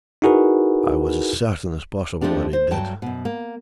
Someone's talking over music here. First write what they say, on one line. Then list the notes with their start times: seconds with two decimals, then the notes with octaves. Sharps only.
I was as certain as possible that he did.
0.22 D#4 E4 F#4 G#4 A#4 B4
2.21 F2 F3 A3 D4 G4
2.53 C5
2.71 G2 F#3 G5 A5
3.02 F#2 B2
3.25 A#3